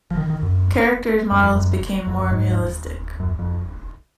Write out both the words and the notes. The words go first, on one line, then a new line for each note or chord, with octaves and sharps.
Characters models became more realistic.
F3
D#3
D#3
F#2
F#2
F2
F#2
F2
F#2
G#2
F#2
F2